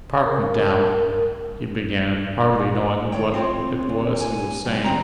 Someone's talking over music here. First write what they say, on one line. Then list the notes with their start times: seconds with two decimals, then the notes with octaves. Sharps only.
"Park went down," he began, hardly knowing what it was he was saying.
0.23 A#4
3.12 D#3 C#5 G5
3.34 C4 F4 C5 C#5
3.89 D2
4.21 G#5
4.65 B2 G3
4.84 D#3 G3 C4 A#5